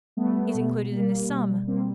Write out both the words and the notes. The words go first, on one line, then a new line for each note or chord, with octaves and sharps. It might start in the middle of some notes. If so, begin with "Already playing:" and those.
"Is included in this sum."
G3 A3 B3
B2
G3 A#3
B2
G3 A#3 C4